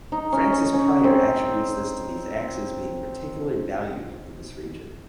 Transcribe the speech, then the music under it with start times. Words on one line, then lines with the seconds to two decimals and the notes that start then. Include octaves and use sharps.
Francis Pryor attributes this to these axes being particularly valued in this region.
0.12 D#4
0.33 C#4
0.53 C#4
0.74 C#4
1.04 C4